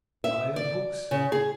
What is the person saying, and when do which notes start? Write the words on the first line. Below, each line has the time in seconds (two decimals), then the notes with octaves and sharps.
Iron hooks?
0.24 E5
0.56 D5
1.11 C#3
1.32 G#4